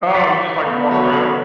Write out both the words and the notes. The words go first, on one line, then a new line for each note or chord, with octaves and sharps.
Oh, you just like to walk around?
C6 A6 B6
A3 B3 F5
F#3 C#5